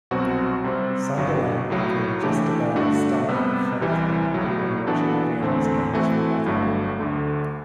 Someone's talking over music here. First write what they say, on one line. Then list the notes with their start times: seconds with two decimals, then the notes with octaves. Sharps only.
Sunderland could just about stomach the fact that everyone watched Albion's games for nothing.
0.11 C2 B2 F#3 C4 F#4
0.64 C3 G3 C4
1.17 G1 G2 F#3
1.70 B1 A2 F#3
2.23 E3 A3 D4 G4
2.76 G2 D3 A3 D4 F#4
3.28 C3 G3 B3
3.81 C2 C3 E3 G3
4.34 B1 A2 F#3
4.87 E3 B3 D4 F#4 A4
5.40 E2 D3 A3 C4
5.93 E3 A3 C4 F#4
6.46 G1 G2 F#3 A3
6.99 D2 D3 A3